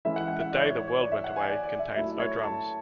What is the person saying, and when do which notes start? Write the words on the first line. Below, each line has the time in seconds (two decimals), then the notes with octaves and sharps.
"The Day the World Went Away" contains no drums.
0.05 E3 G#3 C#4 E4 E5
0.16 F#5
0.28 F#5
0.40 E5
0.52 D5
0.64 C#5
0.76 C#5
0.88 C#5
1.01 D5
1.12 E5
1.24 F#5
1.36 G#5
1.48 D5
1.63 D5
1.79 E5
1.96 F#3 A3 E4 E5
2.20 C#5
2.43 A5